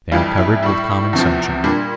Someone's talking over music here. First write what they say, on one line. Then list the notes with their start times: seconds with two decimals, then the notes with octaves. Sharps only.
They are covered with common sunshine.
0.12 F2 E3 G3 F4
0.38 E4
0.63 A2 G3
1.13 E2 C3 F3
1.64 A#2 G3 D4